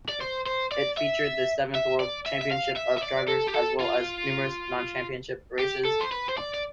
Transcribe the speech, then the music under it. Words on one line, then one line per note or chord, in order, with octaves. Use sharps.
It featured the seventh World Championship of Drivers as well as numerous non-championship races.
D5
C5
C5
D5
E5
E5
D5
E5
E5
F5
E5
E5
D5
A4
G4
A4
F4
G4
A4
C5
B4
C5
D5
D5